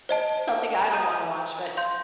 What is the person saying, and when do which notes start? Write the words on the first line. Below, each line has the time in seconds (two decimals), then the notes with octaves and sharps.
but something I don't wanna watch, but
0.09 C5 D#5 A5
0.93 D#5 A#5 D#6 G6
1.77 F5 C6 G6